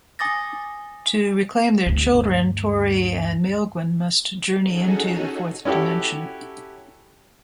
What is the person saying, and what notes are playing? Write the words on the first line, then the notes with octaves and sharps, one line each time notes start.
To reclaim their children, Tory and Maelgwyn must journey into the fourth dimension.
G#5 D6 D#6 A6 A#6
D2 G2
C#4 D#4 F#4 G#4 A4
C#4 E4 F#4 G4 A4